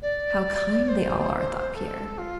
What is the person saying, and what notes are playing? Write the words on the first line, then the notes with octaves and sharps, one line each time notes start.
"How kind they all are," thought Pierre.
D5
C5
A4
F4